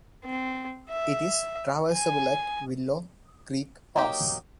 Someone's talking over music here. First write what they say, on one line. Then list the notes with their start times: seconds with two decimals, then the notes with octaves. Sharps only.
It is traversable at Willow Creek Pass.
0.25 C4
0.90 E5
1.92 G#5
3.96 F#3 A#3 D#4 G4